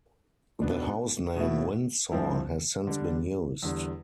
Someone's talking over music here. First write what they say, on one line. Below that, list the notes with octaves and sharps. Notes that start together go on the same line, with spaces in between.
The house name Windsor has since been used.
B2 B3 D4
B2 A3 E4
G2 F3 C4 E4
D3 G3 D4
E2 D3 G3